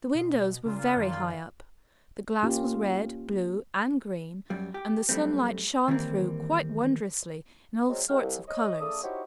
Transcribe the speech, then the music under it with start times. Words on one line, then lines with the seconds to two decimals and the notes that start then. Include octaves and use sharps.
The windows were very high up; the glass was red, blue, and green, and the sunlight shone through quite wondrously in all sorts of colors.
0.15 B2
0.66 A#2 C#3 F4
0.97 F#2 D#3 F3
2.43 A#3 C#4 F4 G4
4.50 F#2 G3
4.74 G4
5.09 F#2 G3 A3 C4
5.88 D#3 E3 G3 A#3 C4
7.89 F#3 G#3 C4
8.09 C2 G#2 F#3 G#3 G5 F6
8.22 C2
8.48 C#5 D#5
8.80 C#3 A3 A4 D5 D#6
9.03 D#4 E4 F#4 G4 C5 C#5